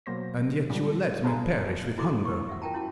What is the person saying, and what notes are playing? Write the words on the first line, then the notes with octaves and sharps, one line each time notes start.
"And yet you will let me perish with hunger?"
B2 F#3 A#3 C5 A#6
A2 D3 F3 G3 G#3 D4
G#4 B4 C5 F5 A5 A#5
E4 F#4 A4 D#5 C6 D6
A4
C#6
E5 F#5
F4 A#4 F#5 G5 A5 A#5
C#4 E4 F#4 F#5 A5